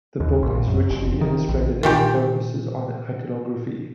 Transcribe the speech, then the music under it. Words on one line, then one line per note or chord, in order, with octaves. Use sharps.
The book is richly illustrated and focusses on iconography.
D#2
A#1
F#2
F#1
F1
D#3
A#1
A#2 D#3 G4